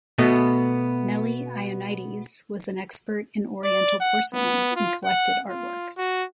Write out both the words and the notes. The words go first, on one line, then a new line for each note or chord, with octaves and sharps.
Nellie Ionides was an expert in Oriental porcelain and collected artworks.
B2 A3 B3
D5
F#5
B3
F4
F#5
F4
F#4